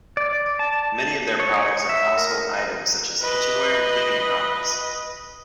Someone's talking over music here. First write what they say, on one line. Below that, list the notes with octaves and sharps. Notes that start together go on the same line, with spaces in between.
Many of their products are house-hold items such as kitchenware and cleaning products.
D5
A5
C#5
E5
A#4
B4 D#5